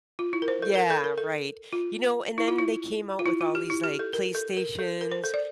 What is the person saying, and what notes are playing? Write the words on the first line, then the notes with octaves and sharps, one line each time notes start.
yeah, right, you know, and then they came out with all these like, PlayStations
F4
E4
A#4
C5
A4
A#4
A4
A#4
A4
F4
E4
F4
E4
F4
E4
F4
G4
E4
G4
A4
A#4
A4
A#4
A4
A#4
C5
A4
D5